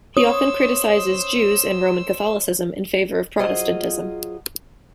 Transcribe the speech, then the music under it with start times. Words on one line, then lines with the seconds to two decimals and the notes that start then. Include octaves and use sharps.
He often criticizes Jews and Roman Catholicism in favor of Protestantism.
0.17 C5 C#5 D#6 E6
3.39 F#3 F4 G#4 A#4 C5 D#5